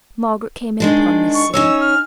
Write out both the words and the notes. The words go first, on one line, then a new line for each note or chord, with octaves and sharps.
Margaret came in upon this scene.
D#3 G#3 D4
C#6
C#4 D#4 C#5 E6
F6